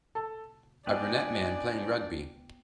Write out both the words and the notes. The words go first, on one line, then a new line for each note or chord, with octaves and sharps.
A brunette man playing rugby.
A4
B3 D4 D#4 B4 D5 G5 G#5